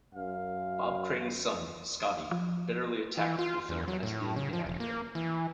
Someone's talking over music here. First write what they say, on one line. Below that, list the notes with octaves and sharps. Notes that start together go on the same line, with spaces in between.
Bob Crane's son, Scotty, bitterly attacked the film as being inaccurate.
F#2 F5
F3
E3
F4
E2
F#3
A2
C#3
F3
E1
A#3
E3